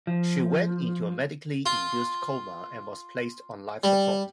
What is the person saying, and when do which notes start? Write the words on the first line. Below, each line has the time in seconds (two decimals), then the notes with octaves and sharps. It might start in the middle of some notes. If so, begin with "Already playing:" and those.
She went into a medically induced coma, and was placed on life support.
0.07 F3
1.66 F4
3.83 G3